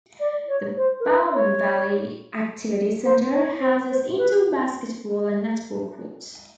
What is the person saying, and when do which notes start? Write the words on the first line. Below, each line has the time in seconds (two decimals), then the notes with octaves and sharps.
The Barwon Valley Activity Centre houses indoor basketball and netball courts.
0.20 D5
0.48 C#5
0.77 C5
1.00 A#4
1.05 B4
1.34 C#5
3.04 C5
3.33 C#5
3.61 C5
3.90 C5
4.17 B4